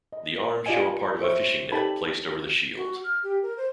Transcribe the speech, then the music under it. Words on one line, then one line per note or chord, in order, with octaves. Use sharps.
The arms show a part of a fishing net placed over the shield.
D#5
F4 G4 D5 D#5 G#5
C5 C#5 E5 C#6
D#4 G4 A4 A5 B5
F#4
F6
G4
A#4
C5